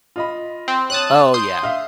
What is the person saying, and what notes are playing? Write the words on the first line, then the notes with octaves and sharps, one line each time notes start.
Oh, yeah.
F4 D#5 B5
C4
C#5 A5 D#6 F#6
C6 D#6 G6
E5 F5